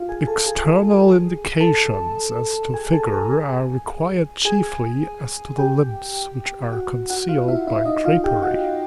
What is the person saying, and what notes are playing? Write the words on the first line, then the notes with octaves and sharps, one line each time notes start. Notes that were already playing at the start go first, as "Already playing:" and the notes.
External indications as to figure are required chiefly as to the limbs which are concealed by drapery.
Already playing: F4 F5
G#4 G#5
A4 A5
G#4 G#5
A4 A5
G#4 G#5
A4 A5
A#5
A4 A5
G#4 G#5
G#4 G#5
G4 G5
F#4 F#5
F#4 F#5
F4 F5
E4 E5
E4 E5
D#4 D#5
F4 F5
G4 G5
F#4 F#5